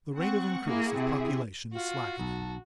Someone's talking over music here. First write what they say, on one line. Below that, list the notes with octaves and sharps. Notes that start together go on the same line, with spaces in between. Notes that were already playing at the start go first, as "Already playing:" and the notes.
The rate of increase of population is slackening.
C4 F#5 C#6
A#3 E4 G#4
C3
F4 F#4
B1 A5